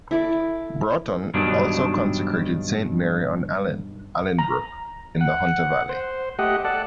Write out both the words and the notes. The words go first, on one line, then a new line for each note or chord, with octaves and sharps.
Broughton also consecrated Saint Mary on Allyn, Allynbrooke, in the Hunter Valley.
E4 A4 D5
G2 B2 D#3 F#3 D4
A#5
F#5
C5
A3 G4 D#5 F#5
A4 D5 F#5